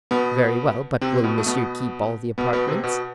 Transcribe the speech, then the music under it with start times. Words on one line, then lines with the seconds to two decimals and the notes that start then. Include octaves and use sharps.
"Very well; but will monsieur keep all the apartments?"
0.11 B2 B3
1.01 C3 C4
1.24 B2 B3
1.38 A3
1.46 B2 B3
2.38 B2 B3
2.53 B2 B3
2.67 C3 C4
2.84 B2 B3